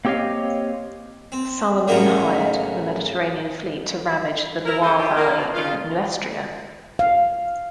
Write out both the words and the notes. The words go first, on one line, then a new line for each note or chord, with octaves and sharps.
Salomon hired the Mediterranean fleet to ravage the Loire valley in Nuestria.
A#3 C4 G4 C#5 D#5 F5
C4
A2 C#3 F#3 A#3
E4 A#4
E3 B3 C#4 G#4 A4 C5
F3 G3 A#3 D#4 G4
A#3
B2
C#3 F4
F5